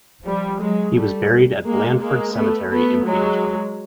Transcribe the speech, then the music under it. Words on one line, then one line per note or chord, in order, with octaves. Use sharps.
He was buried at Blandford Cemetery in Petersburg.
F3 G3
F#3 G#3
G3 A3
G#3 A#3
G#3 A#3
A3 B3
A3 B3
F#3 G#3